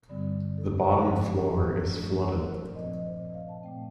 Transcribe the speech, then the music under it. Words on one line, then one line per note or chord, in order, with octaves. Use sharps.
The bottom floor is flooded.
G2 D3 G3 C4 D5
A4
G4
G4
G2 F3 C4 A4
A4
G4
G4
A2 F3 A3 D4
A4
A#4
C5
D5
A#2 F3 C4 D#5
D#5
C5
D5
D#5
F5
A5
A#2 A3 C4 G5